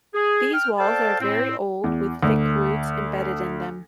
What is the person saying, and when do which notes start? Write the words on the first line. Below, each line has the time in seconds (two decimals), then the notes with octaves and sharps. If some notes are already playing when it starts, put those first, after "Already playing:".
These walls are very old with thick roots embedded in them.
0.14 G#4
0.54 G5 F6
0.78 A4 C5 D5 F5 G5 A5
1.20 A2 C4
1.84 E2
2.23 D2